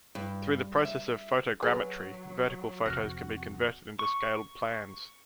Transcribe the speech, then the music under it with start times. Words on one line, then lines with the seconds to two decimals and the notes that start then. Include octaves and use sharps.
Through the process of photogrammetry, vertical photos can be converted into scaled plans.
0.15 G2
0.85 E5
1.63 F#3 G#4 B4
2.86 F2 C3 F#4 F6 F#6 A#6
3.99 C#6